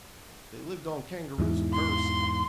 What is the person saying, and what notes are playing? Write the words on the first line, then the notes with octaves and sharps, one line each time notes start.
They lived on kangaroos at first.
E2 G#2 E3
C6